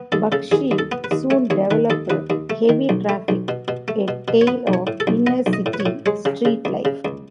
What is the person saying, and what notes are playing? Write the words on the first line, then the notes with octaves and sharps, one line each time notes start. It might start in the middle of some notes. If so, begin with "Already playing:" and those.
Bakshi soon developed "Heavy Traffic", a tale of inner-city street life.
Already playing: B3
D#2 A4
C#3 A4
D#2 G#4
D#2
A4
B3
B4
D#2
A3 C#5
D#2 C#5
D#3 B4
D#2 A4
D#2 B4
D#2
A3
D#3
B1
A3
B1
B2
B2
A3
B2
B2
C#5
B3 B4
B1
C#5
A2
A4
B1
B3 D#5
B1
D#5
A2
B4
C#5
A2
G#3 C#5
C#3
C#3
C#2
C#3
C#2